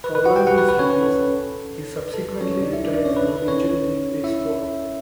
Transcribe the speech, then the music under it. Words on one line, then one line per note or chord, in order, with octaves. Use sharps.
Following his release, he subsequently retired from major league baseball.
B4
B4
F#4 F#5
G4 G5
F#4 F#5
B4
B4
C#4 C#5
B4
A4
B4
A4
C#4 C#5
C#4 C#5
D4 D5
E4 E5
D4 D5
D4 D5
C#4 C#5
B4
A4
B4
C#4 C#5
E4 E5